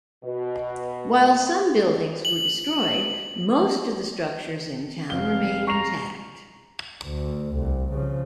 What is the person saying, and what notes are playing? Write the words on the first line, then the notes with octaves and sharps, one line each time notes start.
While some buildings were destroyed, most of the structures in town remain intact.
B2
F#7
F1 F5 G7
A#5 C#6 C7 F7
D2
C2
C#3 F3